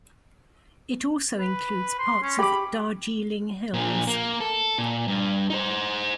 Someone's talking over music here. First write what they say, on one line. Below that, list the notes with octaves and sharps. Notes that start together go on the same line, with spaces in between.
It also includes parts of Darjeeling Hills.
B4
C6
C#4
G4 B5 D6
A#2 F3
A#3
A4
A#2
G2
D#4 C5